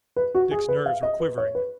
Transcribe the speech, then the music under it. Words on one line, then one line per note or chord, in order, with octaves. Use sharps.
Dick's nerves were quivering.
B4
F#4
G#4
B4
F5
D#5
B4
C#5
B4